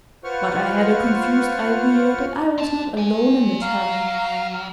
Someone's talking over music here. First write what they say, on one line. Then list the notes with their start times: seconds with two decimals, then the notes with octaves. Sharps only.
But I had a confused idea that I was not alone in the tavern.
0.24 F4 B4 C5 F#5 C#6 F6
2.58 C4 A5
2.97 D5 G#5
3.62 F#3 F5